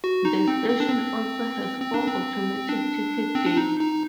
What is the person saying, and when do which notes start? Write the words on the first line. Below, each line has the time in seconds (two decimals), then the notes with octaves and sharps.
The station also has four automatic ticket gates.
0.04 F#4
0.25 D#4
0.48 C4
0.70 C4
0.80 D4
0.89 C4
1.80 C4
1.94 D4
2.08 C4
2.69 D4
3.35 C4
3.46 D4
3.57 D#4
3.80 D#4